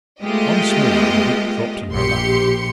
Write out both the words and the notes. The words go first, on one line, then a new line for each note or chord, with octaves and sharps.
Once more the book dropped on her lap.
G#3 A3 B3 F4 G4 D#5
A#1 G4 C6 C#7